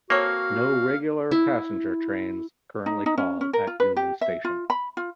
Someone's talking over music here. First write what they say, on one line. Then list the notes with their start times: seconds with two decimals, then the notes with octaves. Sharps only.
No regular passenger trains currently call at Union Station.
0.10 A#3 C4 F#4 A4 C#5 F5
1.31 E4
2.86 D#4
3.06 D#4
3.18 C#4
3.41 C#4
3.53 A#4
3.67 F4
3.80 B4
3.97 G4
4.21 E5
4.45 F4
4.70 B5
4.97 F4